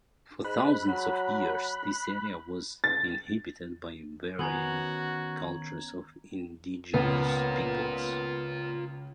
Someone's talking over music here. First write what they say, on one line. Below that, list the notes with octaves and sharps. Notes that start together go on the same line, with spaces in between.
For thousands of years, this area was inhabited by varying cultures of indigenous peoples.
G#2 B5 F#6
F#3
A6
D#3 B3 C#4 F#4 A#5 G#6 F#7
C#2 B3 F4 A#4